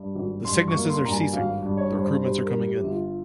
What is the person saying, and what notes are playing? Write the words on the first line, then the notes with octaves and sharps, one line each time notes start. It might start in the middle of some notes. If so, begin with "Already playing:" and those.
The sicknesses are ceasing; the recruitments are coming in.
Already playing: G2
G#1
G2 C6
C#6
A#3
C6
G2 A#5
G#5
G#1 F5
G2
C#5
G2
C5
G3 C5
A#4
G3
G4
G1
F4